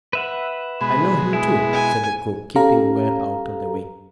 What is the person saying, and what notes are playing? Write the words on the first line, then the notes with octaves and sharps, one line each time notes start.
"I know him too," said the cook, keeping well out of the way.
B4 E5 F#5
B2 G#3 B5
E4 G#4
G#5
C#4 G4 A4 F5 A#5